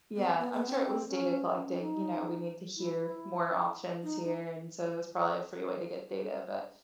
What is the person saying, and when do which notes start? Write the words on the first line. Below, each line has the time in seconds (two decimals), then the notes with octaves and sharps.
Yeah, I'm sure it was data collecting. You know, we need to hear more options here, and so, it was probably a free way to get data, but,
0.16 B3
0.25 C4
0.39 B3
0.53 B3
0.66 C4
0.75 C#4
0.82 C4
1.09 C#4
1.51 C#4
1.65 C#4
1.79 D#4
2.77 E4
2.97 E4
4.03 D#4
4.23 D#4